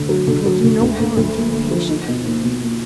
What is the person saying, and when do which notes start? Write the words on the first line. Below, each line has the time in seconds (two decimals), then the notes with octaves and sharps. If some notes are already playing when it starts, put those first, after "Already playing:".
It will do no harm to be patient.
Already playing: D2 D3
0.09 F#3
0.28 D3
0.46 F#3
0.64 D3
0.81 D2
1.00 D2
1.17 D2
1.35 A#3
1.53 A#3
1.71 F3
1.89 D#4
2.08 B2
2.25 A#3
2.43 B2
2.61 A#3